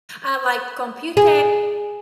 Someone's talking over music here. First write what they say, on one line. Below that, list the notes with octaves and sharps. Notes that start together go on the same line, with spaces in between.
Uh, like,, "computer"
G#4